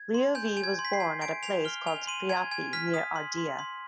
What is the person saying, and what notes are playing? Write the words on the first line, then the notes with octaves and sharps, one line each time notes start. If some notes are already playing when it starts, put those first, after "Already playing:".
Leo V was born at a place called Priapi, near Ardea.
Already playing: G#6
C6
G#5 G6
G#5
G#6
C6
B6
C7
G#5
G#5 D7
G#5 F7
F6 G7
G#5 F7
C6 D#7
G#5 G#6
G#5 G#6
F6 B6
D#6 B6
C6
C6
C6